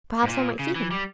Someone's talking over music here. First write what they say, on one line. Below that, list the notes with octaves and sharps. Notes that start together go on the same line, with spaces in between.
'Perhaps I might see him.
G#2
A#2
C#3
E3
G3